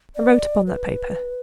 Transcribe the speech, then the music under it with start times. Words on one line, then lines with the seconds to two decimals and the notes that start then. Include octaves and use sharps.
"And wrote upon that paper."
0.16 D5
0.67 B4